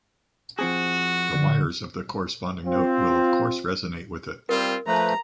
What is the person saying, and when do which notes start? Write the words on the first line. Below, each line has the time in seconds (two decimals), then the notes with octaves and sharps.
The wires of the corresponding note will of course resonate with it.
0.59 F3 C4 F#4 G#4
1.33 D3
2.66 C4 F4
4.49 G3 C4 F4 A#4
4.87 F3 A3 B4 A#5